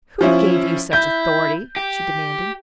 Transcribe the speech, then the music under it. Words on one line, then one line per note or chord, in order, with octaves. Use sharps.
"Who gave you such authority?" she demanded.
F3 C#4 E4
E4 G6
G4